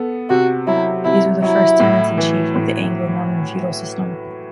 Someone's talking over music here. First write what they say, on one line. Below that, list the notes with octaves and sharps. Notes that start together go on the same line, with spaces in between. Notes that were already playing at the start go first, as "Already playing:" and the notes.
These were the first tenants-in-chief of the Anglo-Norman feudal system.
Already playing: B3 A4
C3 F#4
F#3 E4
C3 E4
F#3 E4
A2
E3
A2